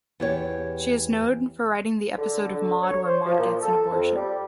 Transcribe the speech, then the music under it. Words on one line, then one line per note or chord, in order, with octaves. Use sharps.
She is known for writing the episode of "Maude" where Maude gets an abortion.
E2 G4 C#5
D3
D3
C#5
C5
F3
A#2
A4
F2
G3